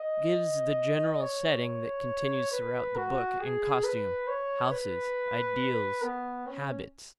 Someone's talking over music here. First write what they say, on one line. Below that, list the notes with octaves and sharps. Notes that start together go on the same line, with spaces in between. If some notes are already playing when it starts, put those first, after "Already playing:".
It gives the general setting that continues throughout the book in costume, houses, ideals, habits.
Already playing: D#5
C#5
B4
F#4
G#4
B4
C#5
B4
B3
C#4